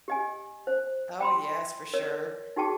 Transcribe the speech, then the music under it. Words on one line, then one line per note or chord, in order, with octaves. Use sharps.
Oh, yes, for sure.
G4 D#5 G#5
C5
G5 B5 C6
A#4 C#5 D#5
D#4 F#4 G#4 G5 A5 D6